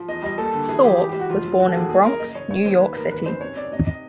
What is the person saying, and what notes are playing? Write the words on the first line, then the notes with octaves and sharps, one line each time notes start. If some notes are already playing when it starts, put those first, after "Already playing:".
Thorp was born in Bronx, New York City.
Already playing: F3
E2 D#5
G3 D#5
A#3 A4
D3
E3 G#4
E3 G4
G#3 G4
G4
G#3
F#4
F1 F4
F#3
E1 F#4
A4
D#2 G#4
A#3 G#4
A#3 A#4
F#1 D#5
F#1 C#5
C#3 C#5
D#2 C5
D#2 B4
D#2 A#4
G#1 B4
F#2 C5
C3 C#5
C3 D5
C3 D#5
D#5